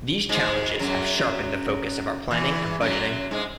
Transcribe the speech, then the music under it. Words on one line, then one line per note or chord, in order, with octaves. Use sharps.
These challenges have sharpened the focus of our planning and budgeting.
G#2 G#3
F#2 F#3
E2 E3
F#2 F#3
G#2 G#3